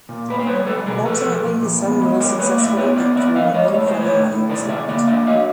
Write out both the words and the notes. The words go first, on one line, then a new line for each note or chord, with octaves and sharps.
Ultimately, his son Lewis successfully ate through what little family money was left.
A#2
A#3 B4
C5
G3 B4 C#5
G3 A4 B4
B2 G#4 A#4
F3 A4 B4
F3
A#2
F3
B3
G#3
F#3 A#4 C5
A#3 B4 C#5
A2 D5 E5
B3 B4 C#5
B3 C5 D5
B3 D5 E5
F3 D#5 F5
G#3 C#5 D#5
A2 C#5
A2 C5
B4 C#5
A2
A2
C#3 C5 D5
C#3 D5 E5
A#3 D5 E5
D4 D5 E5
F#3 D#5 F5